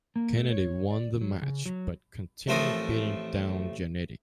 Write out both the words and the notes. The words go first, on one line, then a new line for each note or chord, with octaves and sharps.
Kennedy won the match, but continued beating down Jannetty.
A#3
A3
C#5
D5
F#3
C#3
F#3
A1 F3 A3 C4 A#4 D#6